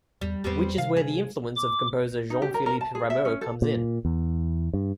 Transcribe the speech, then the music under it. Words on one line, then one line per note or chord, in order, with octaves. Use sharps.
Which is where the influence of the composer Jean-Philippe Rameau comes in.
E2 G3
E2 G3 B3 C4
C3 F5
G#4
D6
D#4
G4
A#4
A#4
A5
G#4
E5
C#4
A4
A#2
E2
G2